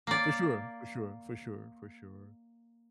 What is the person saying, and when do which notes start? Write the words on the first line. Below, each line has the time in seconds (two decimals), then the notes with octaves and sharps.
For sure, for sure, for sure, for sure.
0.07 A#3 D5